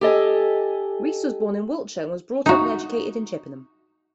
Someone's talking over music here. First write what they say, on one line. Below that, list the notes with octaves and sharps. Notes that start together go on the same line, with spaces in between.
Rees was born in Wiltshire and was brought up and educated in Chippenham.
G4 A4 D#5 G#5
D#4 F#4